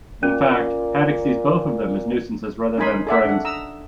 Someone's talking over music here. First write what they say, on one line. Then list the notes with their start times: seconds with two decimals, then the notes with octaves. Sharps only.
In fact, Haddock sees both of them as nuisances rather than friends.
0.23 A#2 C#4
2.77 C#4 D#4 A#4 G#5 B5 C6
3.07 G#4 A4 D5 E5 F#5
3.25 D4 F#5
3.45 A#5 D#6 E6